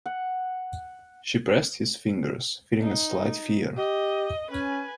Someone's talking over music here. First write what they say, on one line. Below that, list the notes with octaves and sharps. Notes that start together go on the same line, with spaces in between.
She pressed his fingers, feeling a slight fear.
F#5
D#4
G4 D#5
C#4 B4 G#5